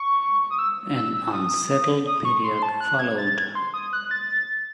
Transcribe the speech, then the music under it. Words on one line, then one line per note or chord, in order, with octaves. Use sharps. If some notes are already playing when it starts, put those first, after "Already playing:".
An unsettled period followed.
Already playing: C#6
D#6
E6
E6
E6
D#6
D#6
C#6
C6
C6
A5
F#6
G#6
A6
G#6
C6
D#6
F#6
A6